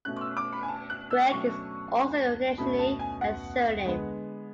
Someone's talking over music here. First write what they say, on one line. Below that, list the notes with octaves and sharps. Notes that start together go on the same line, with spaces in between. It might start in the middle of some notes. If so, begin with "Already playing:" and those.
Greg is also occasionally a surname.
B2 A3 C#4 F#6
E6
D6
B5
G#5
A5
F#6
E6
B2 F#3 A3 C#4 C#6
B2 A3 C#4 B5
A5
G#5
F#5
D3 G#3 B3